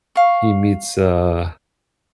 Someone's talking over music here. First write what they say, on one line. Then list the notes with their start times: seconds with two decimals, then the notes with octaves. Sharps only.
he meets, uh
0.16 F5 C#6